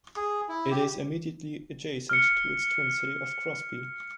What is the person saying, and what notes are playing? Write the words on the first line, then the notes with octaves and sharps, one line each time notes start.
It is immediately adjacent to its twin city of Crosby.
G#4
E4
G4
F6 C#7